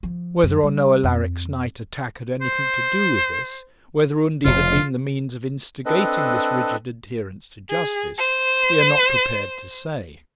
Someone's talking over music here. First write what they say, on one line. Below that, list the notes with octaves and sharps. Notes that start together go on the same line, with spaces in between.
Whether or no Alaric's night attack had anything to do with this, whether Undy had been the means of instigating this rigid adherence to justice, we are not prepared to say.
F3
F#2
G3
F2
C5
F1 C#3 F4
C4 D4 A4 B4 D#5
G#4
C5